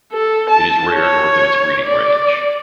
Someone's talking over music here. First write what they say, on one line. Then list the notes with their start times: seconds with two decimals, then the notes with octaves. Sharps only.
It is rare north of its breeding range.
0.13 A4
0.50 A5
0.94 C#5
1.85 D5